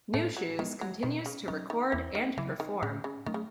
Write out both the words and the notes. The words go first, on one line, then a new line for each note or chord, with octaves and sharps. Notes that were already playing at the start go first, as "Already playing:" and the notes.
Nu Shooz continues to record and perform.
A2 A3
F#3
D#3 G#3 B3
F#3
B2 D#3
C#3
D#3 F#3 C#4
D#3
E2 E3
D#3
C#3 E3 F#3
D#3
A2 C#3
C#3
D#3 F#3 A3 C#4
C#3